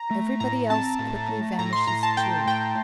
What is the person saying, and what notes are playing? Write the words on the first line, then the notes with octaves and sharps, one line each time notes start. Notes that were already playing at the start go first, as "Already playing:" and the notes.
Everybody else quickly vanishes too.
Already playing: A#5
A3
A2 A#5
C4 A5
A2
A3
A2 A#5
C6
A2 A#5
A5
A3 G5
A2 G5